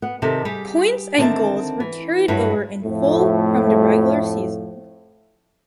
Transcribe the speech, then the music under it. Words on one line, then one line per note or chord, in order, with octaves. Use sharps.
Points and goals were carried over in full from the regular season.
B3 F#5
C3 D#3 D#4 G4 A4 A5
G3 G4 G#4
D3 D#3 C4 D4 E5 A5
E3
G2 F#3 E4 B4
F2 A2 F3 A3